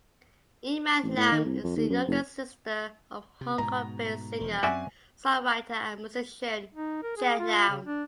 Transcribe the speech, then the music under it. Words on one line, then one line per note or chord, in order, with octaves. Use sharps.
Eman Lam is the younger sister of Hong Kong-based singer-songwriter and musician Chet Lam.
A1
A2
D#3
C2
F2
D#2
F#2
F#1
C3
G#2 B2 A#5
E1 F3
F#2 C4 F#4 D5 E5 G#5
D#4
A#4
G#4
F4
C#3
D4